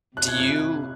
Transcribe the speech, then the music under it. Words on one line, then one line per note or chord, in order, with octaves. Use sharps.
Do you
C3 F#6
G#6
F#6